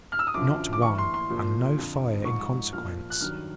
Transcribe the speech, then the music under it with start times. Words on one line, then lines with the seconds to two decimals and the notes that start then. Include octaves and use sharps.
"Not one, and no fire in consequence."
0.12 F6
0.19 E6
0.27 D#6
0.34 F#2 D3 F3 D6
0.73 D6
0.81 A2 E3 C#6
0.98 C6
1.14 C6
1.30 A#2 F3
1.78 F2 D3 F3
2.25 G#2 F3 C#6
2.73 A#2 F3 F6
3.10 F#6
3.20 G2 D#3 F#3 F6